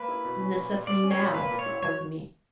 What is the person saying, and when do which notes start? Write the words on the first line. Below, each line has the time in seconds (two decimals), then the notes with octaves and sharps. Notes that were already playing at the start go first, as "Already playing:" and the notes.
It's a necessity now, according to me.
Already playing: A#3 B4
0.09 E4
0.24 B2
0.40 C#4
0.56 A#2
0.72 A#2
0.87 G3 D5
1.03 C#4
1.11 C#5
1.19 A#2
1.34 A#3 B4
1.50 A#2
1.59 C#5
1.66 E4
1.82 F#3 C#5